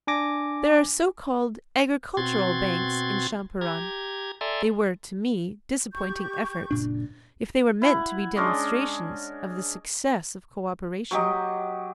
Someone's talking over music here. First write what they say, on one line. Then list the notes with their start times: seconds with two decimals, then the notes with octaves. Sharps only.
There are so-called agricultural banks in Champaran. They were to me disappointing efforts, if they were meant to be demonstrations of the success of co-operation.
0.07 D4 G#5 D6 A#6
2.17 B2 C4 F#4 C6 G#6 A6
3.61 G4 A#5 G#6
4.41 A4 D5 E5 G#5 A#5 C6
5.93 G4 C#6 G6
6.71 F#1 A#2 D4
7.82 E4 F#5
8.36 G#3 C#4 D4 D#5
11.11 F#3 G4 D#5